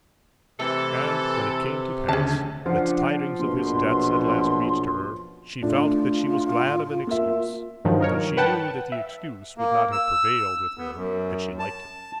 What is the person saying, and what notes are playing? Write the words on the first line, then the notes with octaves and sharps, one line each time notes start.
And when it came to pass that tidings of his debts at last reached her, she felt that she was glad of an excuse, though she knew that the excuse would not have prevailed with her had she liked him.
C3 E3 A3 A4
D2 C#3 G#4 A5
F3 C#4 D4 F4 F#5
A#1 F#2 B2 C6
A2 D4 F4
A#3 E5
G2 D#3 F3 F#3
D#4 A#4 C#5
B4 F#5 G5 A5
E5
A#3
E6
B3
F#2
A5